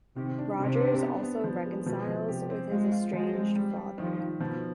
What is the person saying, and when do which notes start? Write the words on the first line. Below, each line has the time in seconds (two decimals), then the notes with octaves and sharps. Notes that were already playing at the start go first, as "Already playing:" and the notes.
Rogers also reconciles with his estranged father.
0.16 C3 D#3
0.39 D4
0.60 C3 D#3
0.80 D4
1.01 B3
1.23 B3
1.44 F3
1.66 G#3
1.86 B2 F3
2.08 F3
2.28 C3 G4
2.50 C4
2.71 G#3 F4
2.92 F4
3.13 F3 G#3
3.35 C4
3.56 G3
3.77 G3
3.98 D#3 F3
4.19 D#3
4.40 B2 F3